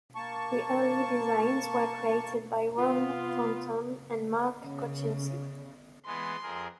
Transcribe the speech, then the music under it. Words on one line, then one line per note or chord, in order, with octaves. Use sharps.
The early designs were created by Ron Thornton and Mark Kotchinski.
A#3 A5 C#6
B3 F4
C#3
E3 G#3 B3 C6
F2 G#4 A#4